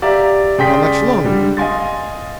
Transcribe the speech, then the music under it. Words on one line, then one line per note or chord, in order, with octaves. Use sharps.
How much longer?
G4 D5 E5 F5 A#5
C#3 G#4 D5 G5 C6 B6
D3 G3
D#5 F5 G#5 C6 A6